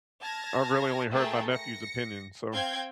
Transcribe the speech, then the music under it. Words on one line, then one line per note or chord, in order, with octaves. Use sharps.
I I've really only heard my nephew's opinion, so
A5 F6 G#6 A#6
A3 G#4 A#4 G5 A5
A#6 C#7
C4 F5 G5 G6 G#6